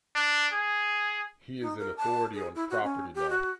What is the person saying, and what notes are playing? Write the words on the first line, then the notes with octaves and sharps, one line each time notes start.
He is an authority on Property Law.
D4
G#4
D#4
A#4
A5
G#4
E4
F#4
C#4
G4
F#4